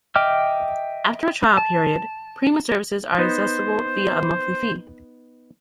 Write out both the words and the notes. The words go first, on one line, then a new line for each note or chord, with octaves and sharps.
After a trial period, premium services are accessible via a monthly fee.
D#5 E5 G5 D6 F6
A5
B3 D#4 C5